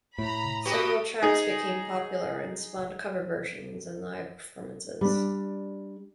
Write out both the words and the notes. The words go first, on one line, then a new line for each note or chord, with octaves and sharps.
Several tracks became popular and spawned cover versions and live performances.
A2 A#5 B5
F#4 G4 A4 B4 D#6
D#4 G#4
G3 D4